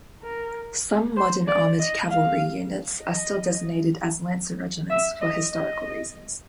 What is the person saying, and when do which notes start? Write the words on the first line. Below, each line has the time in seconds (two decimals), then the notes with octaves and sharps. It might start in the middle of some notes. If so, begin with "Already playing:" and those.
Some modern armored cavalry units are still designated as lancer regiments for historical reasons.
0.23 A#4
1.17 C5
1.47 D5
1.79 D#5
2.10 F5
3.03 D#5
4.90 E5
5.22 D#5
5.52 D#5